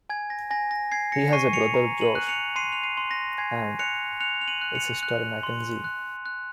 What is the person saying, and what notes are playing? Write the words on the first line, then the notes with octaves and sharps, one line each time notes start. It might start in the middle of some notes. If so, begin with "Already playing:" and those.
He has a brother, Josh, and a sister, Mackenzie.
G#5 G#6
A#6
G#5 A#6
A#6
G#5 G#6 C7
A#6 C#7
C#6 C7 D#7
C#7 F7
A#5
D#7 F#7
F#6
C#7 F7
C6 C7 D#7
F7
C7 D#7
C6
A#6
G#5 G#6 C7
F#6 C#7 F7
F#6 C#7 F7
F7
D#7 F#7
F#6
C#7 F7
F#6
C6
F#6
F#6